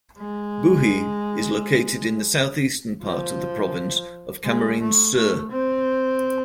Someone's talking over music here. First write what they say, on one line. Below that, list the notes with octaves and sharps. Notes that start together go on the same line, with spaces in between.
Buhi is located in the south-eastern part of the province of Camarines Sur.
G#3
F3
G#3
A3
A3
C4